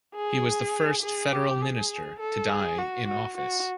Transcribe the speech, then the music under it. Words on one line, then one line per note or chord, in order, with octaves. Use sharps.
He was the first federal Minister to die in office.
G#4
G#4
G4
G#4
A4
G#4
F#4
F#4
F#4